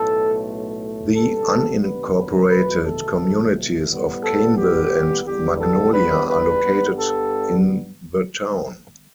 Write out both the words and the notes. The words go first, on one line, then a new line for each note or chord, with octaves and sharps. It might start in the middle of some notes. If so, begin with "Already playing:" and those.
The unincorporated communities of Cainville and Magnolia are located in the town.
Already playing: B1 A2 A3 A4
G2 G3 B3 A4
B4
E2 B2 A3 B4
A4
A2 G3 B3
A4
G4
E2 D3 G3 B3 G4
A4
B4
B4
G2 G3 B3
A4